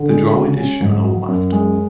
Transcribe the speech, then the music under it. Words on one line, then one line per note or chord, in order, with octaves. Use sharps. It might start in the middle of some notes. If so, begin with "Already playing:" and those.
The drawing is shown on the left.
Already playing: D3
G#3
F#4
C#4
G#2
F#3
F#2
G#3